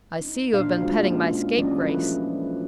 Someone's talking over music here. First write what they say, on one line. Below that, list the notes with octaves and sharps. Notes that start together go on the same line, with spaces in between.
"I see you have been petting my scapegrace."
D#4
A#2 D4 C5 F5
G#3 A3 F4 F#4
A#3 C#4 F5
E3 F#3 G3 C#4 D5 D#5
F3 A3 B4